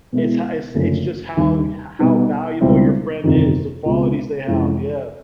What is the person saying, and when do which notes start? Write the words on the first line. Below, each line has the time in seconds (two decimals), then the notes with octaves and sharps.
it's ho it's it's just how h how valuable your friend is, the qualities they have. Yeah,
0.12 B2 G#3 B3 E4
0.75 F#1 F#2 D3 F3 A3
1.37 D#2 D#3 G3 A#3 D#4
1.99 B2 G3 B3 D#4
2.61 C#2 B2 G3 C4 E4
3.24 G1 F2 C3 D#3
3.85 C#2 B2 G#3 C4 F4
4.47 F2 C3 E3 G#3 C#4